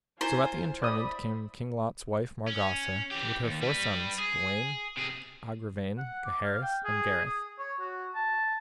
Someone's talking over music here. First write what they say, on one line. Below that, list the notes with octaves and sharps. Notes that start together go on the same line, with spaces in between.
SO at the interment came King Lot's wife Margawse with her four sons, Gawaine, Agravaine, Gaheris, and Gareth.
E4 F4 C5 G#5
D5 E5 B5 D#6
C#4
E3 G4
D#2
G3 B4
G#4
C3 G#4
F#5
D6
F5
G5
G#4
D#6
C#5
F#4
A5